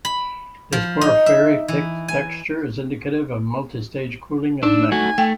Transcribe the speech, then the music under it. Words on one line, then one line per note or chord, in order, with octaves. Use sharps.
This porphyritic texture is indicative of multi-stage cooling of magma.
B5
F3
D#4
E5
E3
G#5
D4 D#4 E6
A3 F#4 G#5
A3 G5